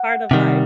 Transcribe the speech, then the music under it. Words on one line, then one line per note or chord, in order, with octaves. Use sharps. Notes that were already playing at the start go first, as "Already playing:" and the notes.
part of life.
Already playing: F#5
C3 D#3 G3